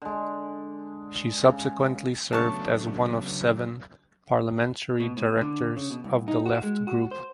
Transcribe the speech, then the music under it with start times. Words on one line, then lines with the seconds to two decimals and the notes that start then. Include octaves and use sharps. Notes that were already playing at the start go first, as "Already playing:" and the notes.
She subsequently served as one of seven parliamentary directors of The Left group.
0.02 D3 G#3
1.44 C#3
2.33 D#2 C#3 F#3 A3 B3 D4 A5 C#6
5.00 B2
5.17 A2
5.41 D3
5.77 C#3
5.91 B2
6.04 C2
6.28 D#4
6.46 F#4
6.63 G#3
6.87 F#4
7.11 C5